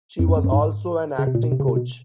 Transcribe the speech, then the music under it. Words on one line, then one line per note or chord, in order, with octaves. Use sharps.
She was also an acting coach.
F2
F#2
F2
F#2
G#2
C#3
C3
A#2
B2
C3
C#3
C3
B2